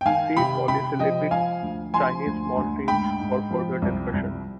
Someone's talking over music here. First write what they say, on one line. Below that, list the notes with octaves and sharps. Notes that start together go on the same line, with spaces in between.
See polysyllabic Chinese morphemes for further discussion.
G5
D#3 F5 G#5
C3 G5 B5
C3 G5 B5
F3 D#5 G5
F3 F5 G#5
D2
F3 G#5 C6
D2
D2
G#2 G5 B5
G#2
F3
C2
C2